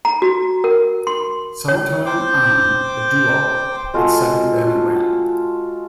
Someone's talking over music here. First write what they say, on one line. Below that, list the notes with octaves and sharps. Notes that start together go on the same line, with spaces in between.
Summertime earned the duo its second Grammy win.
A#5
F#4
A#4
C6
C#5
C5 G5 D6
G#3 F4 F#4 A4